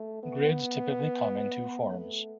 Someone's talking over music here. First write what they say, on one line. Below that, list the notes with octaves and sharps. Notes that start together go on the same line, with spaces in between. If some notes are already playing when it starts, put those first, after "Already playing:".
Grids typically come in two forms.
Already playing: A3
B3
A3